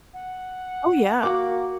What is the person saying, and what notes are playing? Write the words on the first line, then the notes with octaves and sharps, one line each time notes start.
Oh, yeah.
F#5
A#3 F#4 D6